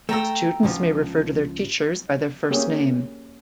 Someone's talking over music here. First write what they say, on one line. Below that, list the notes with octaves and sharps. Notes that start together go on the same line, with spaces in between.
Students may refer to their teachers by their first name.
A3 G5 A#5 E6
C#2 G#2 F3
A#3 C#4 G4 G#4